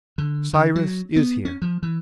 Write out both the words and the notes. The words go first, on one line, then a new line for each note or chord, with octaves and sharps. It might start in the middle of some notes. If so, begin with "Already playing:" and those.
"Cyrus is here!"
D3
D3
F#3
B3
C#4
F3
E3